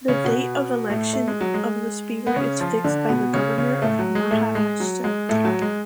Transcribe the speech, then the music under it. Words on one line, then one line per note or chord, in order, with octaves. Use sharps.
The date of election of the speaker is fixed by the Governor of Maharashtra.
C#3 C#4
B2 B3
A2 A3
A3
G#3
F#3
G#3
B3
C#3 C#4
F3 F4
D3 D4
B2 B3
C#3 C#4
C#3 C#4
A2 A3
F#3
G#3
A2 A3
G#3
F#3
G#3
A2 A3
F#3
G#3